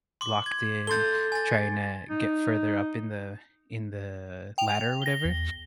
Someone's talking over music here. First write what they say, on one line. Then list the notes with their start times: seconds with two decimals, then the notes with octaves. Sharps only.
locked in, tryna get further up in the in the ladder or whatever.
0.21 C6 D6
0.46 G#6
0.87 A4 C6 G6 A6 G7
1.32 G#5 A6
2.09 D#4
4.58 G5 F7
5.02 A#6 G7
5.25 E2